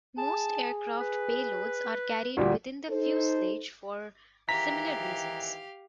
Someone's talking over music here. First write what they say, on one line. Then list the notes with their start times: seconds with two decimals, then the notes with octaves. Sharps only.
Most aircraft payloads are carried within the fuselage for similar reasons.
0.18 G#4 A5
1.00 B4
2.37 D2 A#2 G3 F#4
2.89 D#4 A4 C5
4.49 G#2 D#3 E3 G4 F5 A#5 B6